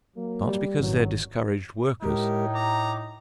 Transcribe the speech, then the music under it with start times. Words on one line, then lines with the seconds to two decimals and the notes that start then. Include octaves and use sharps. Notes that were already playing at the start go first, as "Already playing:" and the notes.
Not because they are discouraged workers.
0.17 F#3 A#3
0.48 G3
0.80 G#1 F#2 E3 F#3
2.03 A2 G#3 D#4 G4 A#4
2.55 A#5 D6